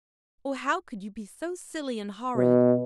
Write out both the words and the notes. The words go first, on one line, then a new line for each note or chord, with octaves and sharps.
Oh, how could you be so silly and horrid?
B2